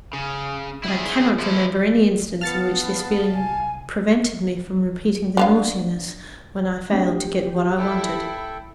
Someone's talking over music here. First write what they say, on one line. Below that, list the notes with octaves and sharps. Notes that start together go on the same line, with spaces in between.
But I cannot remember any instance in which this feeling prevented me from repeating the naughtiness when I failed to get what I wanted.
C#3
E4 G#4
F3 E4
B3 F5 A5 F6 A6 C#7
C2 G#5
D3 B3 F5
A3 C4 D4 G4
E4 A4 G5